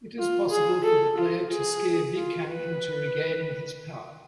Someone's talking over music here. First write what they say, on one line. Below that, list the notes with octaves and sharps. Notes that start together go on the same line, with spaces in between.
It is possible for the player to scare Viekang into regaining his power.
F4
G#4
A4
F4
G#4
F4
B4